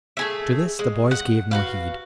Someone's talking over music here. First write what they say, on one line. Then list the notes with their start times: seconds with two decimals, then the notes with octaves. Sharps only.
To this the boys gave no heed.
0.17 A3 G#4 E5
0.79 G#3
1.11 F#5
1.51 F#4 B4 F5